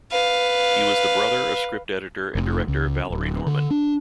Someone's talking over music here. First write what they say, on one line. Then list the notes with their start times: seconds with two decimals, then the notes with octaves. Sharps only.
He was the brother of script editor and director Valerie Norman.
0.12 B4 F5
2.35 F1
2.68 C#2
3.10 D1
3.46 D3
3.70 D4